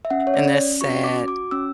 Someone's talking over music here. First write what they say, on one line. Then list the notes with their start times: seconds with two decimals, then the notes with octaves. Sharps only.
and that's sad.
0.05 E5
0.10 C#4 F#5
0.27 C#5
0.34 D5
0.46 C#4
0.81 F#4 C#6
1.04 D6
1.16 F#4
1.28 D6
1.51 C#4 E6